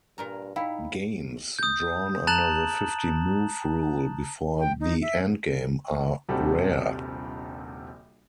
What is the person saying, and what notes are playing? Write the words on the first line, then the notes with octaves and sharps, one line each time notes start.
Games drawn under the fifty-move rule before the endgame are rare.
G2 A#2 A#4 A#5
D#4 E4 F5 G5 B5
D#6 G6
A5 A#5 F#6 A6 E7 F#7
G5
D#4
E5
D#1 A#1 C3 G3 F#4 A4